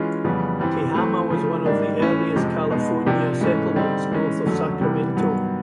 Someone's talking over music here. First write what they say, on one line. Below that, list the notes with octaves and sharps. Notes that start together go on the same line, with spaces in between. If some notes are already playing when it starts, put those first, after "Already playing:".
Tehama was one of the earliest California settlements north of Sacramento.
Already playing: E3 G#3 C#4 F4 G#4
F2 C#3 E3 G3 B3
G2 E3 G3 C4
E3 A3 C4
C#3 F3 A3
G#2 D#3 G3 A#3 D4
A2 E3 A3 C#4
F2 C3 F3 G#3
B2 G#3 B3 D#4
C3 F3 A#3 D4 G4
G#2 E3 A3 C#4
D3 G3 C4 D#4
E3 G#3 C#4
F2 D3 F#3 A3 C#4
C3 E3 G3 B3
G2 D#3 F#3 B3